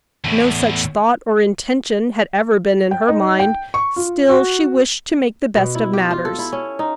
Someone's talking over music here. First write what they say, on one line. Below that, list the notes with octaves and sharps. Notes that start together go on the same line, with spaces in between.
No such thought or intention had ever been in her mind, still she wished to make the best of matters.
E2 A2
G5
D#4
G5
C#6
F4
F#4
B2
E4
G4
F4
A4
E4
C#4
D#4